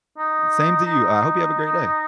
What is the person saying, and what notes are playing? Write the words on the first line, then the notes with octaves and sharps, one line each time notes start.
Same to you, I hope you have a great day.
D#4
D#4